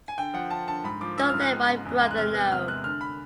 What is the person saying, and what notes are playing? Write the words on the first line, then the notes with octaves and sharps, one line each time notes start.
Don't let my brother know.
G#5
D3 G5
F3 F#5
F3 A5
D3 A5
G#2 B5
F3 D6
F3 E6
G#2 F6
F#6
G#3
C#3
E2
G#3
F#6
C3 F6
B3 F#6
C3 F6
G#3 F#6
D3 F6
B5